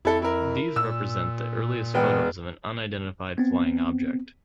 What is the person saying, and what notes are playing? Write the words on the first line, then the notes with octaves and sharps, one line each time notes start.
These represent the earliest photos of an unidentified flying object.
F2 E4 A4
E4 A#4
A#2 E6
E1 B3 G5
B3 C4